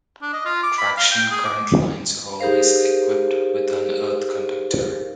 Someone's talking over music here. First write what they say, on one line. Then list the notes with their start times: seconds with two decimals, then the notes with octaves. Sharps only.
Traction current lines are always equipped with an earth conductor.
0.22 D4
0.33 D#5
0.45 F4
0.63 D6
0.78 B5
0.97 F5
1.11 G5
1.31 G#4
1.45 D6
2.40 D#4 G4 G#4 A#4 C5 F5